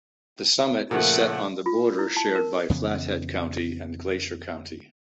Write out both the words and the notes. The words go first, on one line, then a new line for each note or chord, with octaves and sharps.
The summit is set on the border shared by Flathead County and Glacier County.
A#2 C#3 F3 A3 A#4 F#5
F4
E4
A5
A#4
F2 C#3 E3 B3